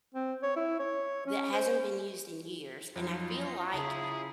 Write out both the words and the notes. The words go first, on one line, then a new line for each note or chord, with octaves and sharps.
that hasn't been used in years, and I feel like
C4
C#5
E4
C#5
C#4
C5
F2 F#3 D#4 F4
C#3 E4 F4 G#4 A5 A#5